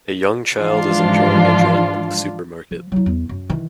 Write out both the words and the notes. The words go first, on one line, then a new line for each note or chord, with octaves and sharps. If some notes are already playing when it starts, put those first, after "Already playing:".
A young child is enjoying a drink at the supermarket.
G#2 E3 F3 D4 F4
F3
F#3 E4
E2
F#2
D#3 E3